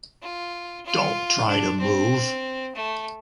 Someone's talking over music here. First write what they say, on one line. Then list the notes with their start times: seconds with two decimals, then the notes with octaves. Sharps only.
Don’t try to move.
0.22 F4
0.86 F4
1.48 D4
1.80 C4
2.75 A3